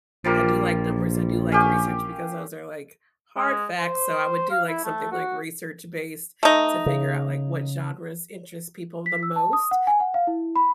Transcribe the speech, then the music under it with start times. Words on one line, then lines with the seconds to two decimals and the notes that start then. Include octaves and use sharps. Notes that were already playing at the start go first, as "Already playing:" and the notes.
I do like numbers, I do like research because those are, like, hard facts, so I would do, like, something, like, research-based to figure out, like, what genres interest people the most,
0.24 A#1 F3 G3 A#3
1.52 C#4 G4 F5
3.36 G#3
3.79 C5
4.51 F5
4.69 E4
4.84 A3
5.12 F#4
6.43 A3 D#4
6.86 C#3
9.06 B6
9.23 E6
9.36 A5
9.53 D#6
9.71 F#5
9.87 G#5
10.00 F#5
10.14 F5
10.27 E4
10.56 B5